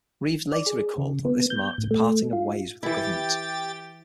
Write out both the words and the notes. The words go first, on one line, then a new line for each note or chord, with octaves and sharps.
Reeves later recalled that this marked a "parting of ways" with the Government.
D5
G#4
C#3
B3
G6
A2
A3
F4
E3 E4 G4 G5 A6